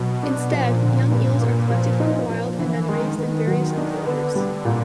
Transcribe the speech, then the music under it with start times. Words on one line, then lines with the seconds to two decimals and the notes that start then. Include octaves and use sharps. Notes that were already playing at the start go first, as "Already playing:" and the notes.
Instead, young eels are collected from the wild and then raised in various enclosures.
Already playing: B2 F#3 B3
0.23 D4
0.53 A#2 F3
0.82 D3
1.11 G2
1.41 A#3
1.70 F3
2.00 D#4
2.29 A#2 F3
2.59 D3 E3
2.88 D#3 G#3
3.17 D#3 B3
3.47 F#3
3.77 D4
4.06 D3 B3
4.35 G3
4.65 A#2